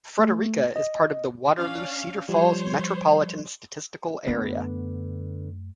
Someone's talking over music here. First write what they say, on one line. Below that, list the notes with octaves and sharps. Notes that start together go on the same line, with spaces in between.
Frederika is part of the Waterloo-Cedar Falls Metropolitan Statistical Area.
A3
D#5
C#4 D4 F5
F3 G3 C5 C#5
F#2 D3 A3 B3